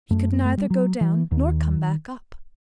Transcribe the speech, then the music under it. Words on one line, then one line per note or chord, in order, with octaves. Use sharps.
He could neither go down nor come back up.
F#2 A3
B3
A3
G3
F#3
E3
D#2 D#3